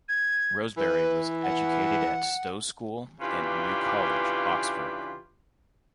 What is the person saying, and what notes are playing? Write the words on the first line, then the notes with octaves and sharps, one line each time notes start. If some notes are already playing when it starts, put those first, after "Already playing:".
Rosebery was educated at Stowe School and New College, Oxford.
G#6
E3 B4
F#5
C#3 E3 D4 F4 G4 B4